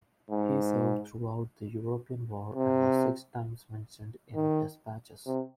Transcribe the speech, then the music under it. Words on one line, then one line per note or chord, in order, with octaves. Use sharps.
He served throughout the European War and was six times mentioned in Despatches.
G#2
C3
D#3
C3